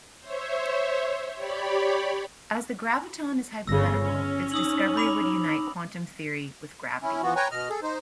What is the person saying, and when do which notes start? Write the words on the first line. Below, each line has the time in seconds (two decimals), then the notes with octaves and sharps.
As the graviton is hypothetical, its discovery would unite quantum theory with gravity.
0.20 C5 C#5 E5
1.36 G4 C#5 D5 B5
3.67 G1 C#3 E6 A#6
4.03 C#4
4.52 D#4 D#6 E6 F#7
4.97 B5 D6 F7
7.02 C#4 E4
7.22 E3 F3 B3 F#4
7.36 B4 C#5 G5 G#5 A#5
7.51 B2 D#5 F6
7.70 G#4 A4
7.83 D#4 C5